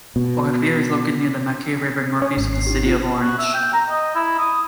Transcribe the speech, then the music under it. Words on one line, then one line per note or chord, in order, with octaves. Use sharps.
Ophir is located near the Macquarie River northeast of the city of Orange.
B2
C#4
G#1
C7
C#4 D#4 G4
B3 F4
F#4
E5
G5
A#5
D#5
E4
D#6